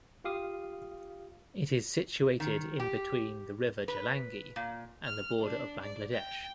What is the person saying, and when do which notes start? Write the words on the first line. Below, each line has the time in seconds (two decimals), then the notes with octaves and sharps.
It is situated in between the river Jalangi and the border of Bangladesh.
0.24 F4 G4 F5 D#6
2.40 D#3
2.80 G4
3.88 B4
4.56 A#2
5.05 F6
5.41 D4
5.82 D5
6.13 G5